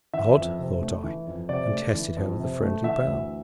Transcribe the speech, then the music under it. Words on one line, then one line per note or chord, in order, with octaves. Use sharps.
"Odd," thought I, and tested her with a friendly bow.
E3 E5
F2
C3
A3
E3
F2
C3 D5
A3
E3
F2
C3
A3
E3 E5
D2